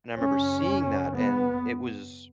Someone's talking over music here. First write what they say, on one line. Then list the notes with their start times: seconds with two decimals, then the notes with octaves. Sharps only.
And I remember seeing that, and it was,
0.16 F#2 C#3 C#4
1.14 B3